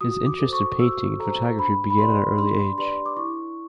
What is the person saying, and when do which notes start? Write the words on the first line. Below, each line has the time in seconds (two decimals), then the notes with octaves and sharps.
His interest in painting and photography began at an early age.
0.01 F#4 D#6
0.26 D6
0.40 A4 C5
0.53 C#6
0.80 F#4 E6
1.19 A4 C5 A#5
1.59 D4 B5
1.90 B5
1.98 G4 B4 D5 C6
2.38 D4 C6
2.78 G4 B4 D5 C6
3.06 D6
3.17 E4 C#6